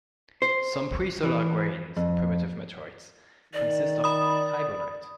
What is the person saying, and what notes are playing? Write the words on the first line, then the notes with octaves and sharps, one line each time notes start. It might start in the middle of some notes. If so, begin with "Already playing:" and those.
Some presolar grains in primitive meteorites consist of hibonite.
C5
E3
F2
D#3 D5
B5 D#6